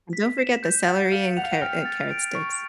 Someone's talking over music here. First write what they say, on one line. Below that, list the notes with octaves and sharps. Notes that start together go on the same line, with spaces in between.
And don't forget the celery and car uh, carrot sticks.
B6
E7
G6
F#5 A6
F5 C#7
F#5 F7
F5
F#5
G5 F6
A6
D7
C#6